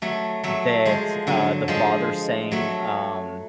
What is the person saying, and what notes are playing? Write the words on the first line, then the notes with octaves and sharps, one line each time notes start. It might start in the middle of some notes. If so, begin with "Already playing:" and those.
that, uh, the father sang, um,
F#3 A3
F#3 A3
F3 G#3
D3 F#3
F3 G#3
F#3 A3